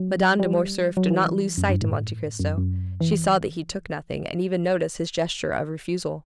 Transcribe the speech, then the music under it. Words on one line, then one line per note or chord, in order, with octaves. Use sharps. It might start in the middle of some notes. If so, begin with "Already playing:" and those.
Madame de Morcerf did not lose sight of Monte Cristo; she saw that he took nothing, and even noticed his gesture of refusal.
Already playing: F#3
G3
F#3
E3
F#2
G2
A2
F#2
F#2
E3